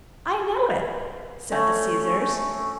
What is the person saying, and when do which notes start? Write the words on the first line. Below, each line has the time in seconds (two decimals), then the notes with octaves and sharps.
"I know it," said the scissors.
1.52 A3 C#4